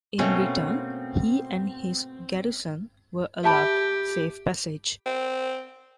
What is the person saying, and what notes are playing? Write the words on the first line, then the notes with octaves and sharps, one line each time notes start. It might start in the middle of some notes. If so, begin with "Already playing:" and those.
In return, he and his garrison were allowed safe passage.
B2 A3 A#3 C4 C#4
G4 E5 A5 B5
C4